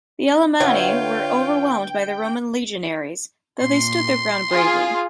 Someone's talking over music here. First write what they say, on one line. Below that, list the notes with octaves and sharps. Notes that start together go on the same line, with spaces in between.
The Alemanni were overwhelmed by the Roman legionaries, though they stood their ground bravely.
D3 B3 E4 F4 C#5 G5
A#2 C6
F4 G#4